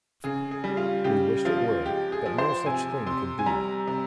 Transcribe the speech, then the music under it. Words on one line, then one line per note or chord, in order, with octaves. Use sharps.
He wished it were, but no such thing could be.
C#3 G#4
G#4
G3
F4
C#3 G4
F3 F4
G#3 G4
G#4
F3
C5
C3 G#5
C3 C6
G#5
G3 A#5
C3